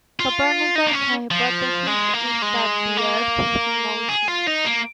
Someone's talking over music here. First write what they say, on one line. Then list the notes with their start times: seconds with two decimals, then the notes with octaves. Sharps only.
Copernicus' hypothesis is that the earth is in motion.
0.20 F4
0.76 D#4
0.86 A#3
0.93 C#4
1.31 F3
1.87 G#3
2.14 A#3
2.42 G#3
2.98 A#3
4.09 G#4
4.28 F4
4.46 D#4
4.65 A#3